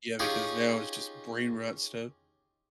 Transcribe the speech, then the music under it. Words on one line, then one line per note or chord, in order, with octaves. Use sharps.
Yeah, because now it's just brain rot stuff.
C#4 D#4 F4 G4 G#4